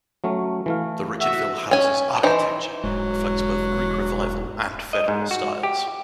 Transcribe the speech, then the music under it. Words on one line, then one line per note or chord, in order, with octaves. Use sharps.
The Richardville Houses' architecture reflects both Greek Revival and Federal styles.
F#3 A3 C#4
E3 A3 F5
F#4 E5
C#4 G#5
E3 D#4 C5
E1 G#2 F#3
D#5
G#2
F#4
G4